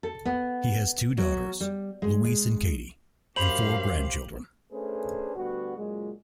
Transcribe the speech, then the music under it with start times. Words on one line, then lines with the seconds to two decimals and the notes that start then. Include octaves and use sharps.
He has two daughters, Louise and Katy, and four grandchildren.
0.03 A4
0.25 B3
1.18 F#3
1.60 G3
2.02 G#3
2.24 G#3
3.36 F#2 G4 C5 F5 B5 F7 F#7
4.72 A3 C#4 D4 G#4 B4 C5
5.36 D2 G3 B3 F#4
5.77 C#2 A#2 F#3 G#3